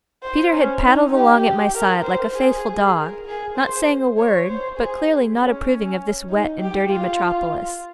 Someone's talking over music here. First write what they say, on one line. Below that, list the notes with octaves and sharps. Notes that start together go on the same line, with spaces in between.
Peter had paddled along at my side like a faithful dog, not saying a word, but clearly not approving of this wet and dirty metropolis.
C5
C#4
D#4
G4
A#4
C5
G#4
A#4
G#4
C5
C#5
C5
G#4
C#4
D#4
G4
F4